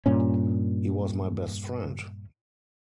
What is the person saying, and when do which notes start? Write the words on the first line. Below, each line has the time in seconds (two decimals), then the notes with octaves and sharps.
He was my best friend.
0.06 G2 A#2 C#4